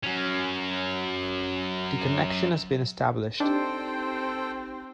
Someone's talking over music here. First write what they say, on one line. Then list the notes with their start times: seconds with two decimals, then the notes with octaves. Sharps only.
The connection has been established.
0.04 F#3 C#4
3.40 C4 D4 D#4 G4 A4 C5 G5